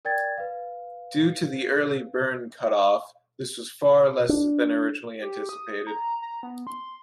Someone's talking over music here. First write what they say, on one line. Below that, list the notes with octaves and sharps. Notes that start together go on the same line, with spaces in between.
Due to the early burn cutoff, this was far less than originally anticipated.
A#4 D5 G5 G#6 A6
B4 F5
D4
G4
D#6
A#5
A#5
B3
C6